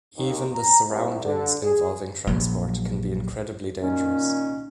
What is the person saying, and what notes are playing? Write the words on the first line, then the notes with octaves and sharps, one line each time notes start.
Even the surroundings involving transport can be incredibly dangerous.
D#2
A#5
C2
D3
G#4
A#1 F#3
A#2 D#3 C#4